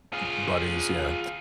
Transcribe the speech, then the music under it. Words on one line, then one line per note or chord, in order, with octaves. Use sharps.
b b buddies, yeah,
F4 G#4